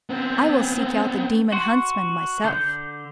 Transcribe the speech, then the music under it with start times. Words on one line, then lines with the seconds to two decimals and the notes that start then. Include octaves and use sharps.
"I will seek out the demon huntsman myself."
0.10 B3 C4
1.52 F#4 F#5 C6
2.44 D3 G6